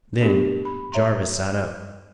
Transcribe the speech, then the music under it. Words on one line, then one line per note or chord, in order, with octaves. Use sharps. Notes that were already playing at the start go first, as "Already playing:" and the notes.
Then Jarvis sat up.
A3 B3 D4 G4 A#4
B5
C#5 E5 A#5 C6